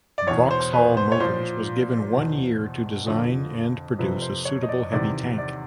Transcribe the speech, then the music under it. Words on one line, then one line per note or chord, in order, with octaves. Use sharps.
Vauxhall Motors was given one year to design and produce a suitable heavy tank.
D5
E2 B2 C#5
C5
B4
C5
C#5
A#2 F3 C5
E2 B2
F2 D3 F3
F2 C3 F3 B4
C5
C#5
D#5
D5
E2 C3 D#3 D5
D5